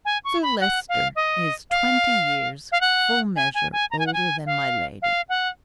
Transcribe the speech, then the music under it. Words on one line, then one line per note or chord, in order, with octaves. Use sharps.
Sir Leicester is twenty years, full measure, older than my Lady.
G#5
C#6
B5
F#5
F5
D#5
F5
F5
F#5
G#5
G#5
G#5
A#5
G#5
F#5
G#5
F5
F5
F#5